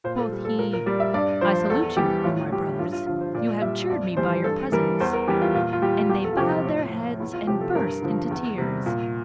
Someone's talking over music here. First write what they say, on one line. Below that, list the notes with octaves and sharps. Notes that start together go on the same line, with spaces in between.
Quoth he, "I salute you, O my brothers! you have cheered me by your presence." And they bowed their heads and burst into tears.
A#2 C5
A4
G3
A4
A#2 A#4
A#4
G3 D5
E5
G2 D5
F3 C5
E2 A4
E3 G3 G4
A2 F4
G3 G4
G2 F4
F4
D3 F3 F4
C5
A#2 D5
G3 E5
F2 D5
E3 G3 C5
G2 A4
E3 G3 A#4
E2 C5
A#4
E3 G3 G4
F4
A#2 F4
F4
G3 G4
E2 G4
A4
F4
C3 F3 G4
F4
A2
F3
E2 E4
F4
C3 F3 G4
A4
G2 A#4
D3 F3
E2
C3 G3
A#2